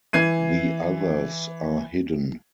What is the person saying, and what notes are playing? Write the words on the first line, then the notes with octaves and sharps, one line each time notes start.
The others are hidden.
E3 G#6 C7 D#7